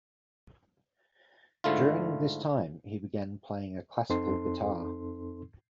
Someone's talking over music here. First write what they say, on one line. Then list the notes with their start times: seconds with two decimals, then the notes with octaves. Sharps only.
During this time he began playing a classical guitar.
1.64 G#2 D3 A3 E4 F4
4.09 F2 C4 D#4 A4 C6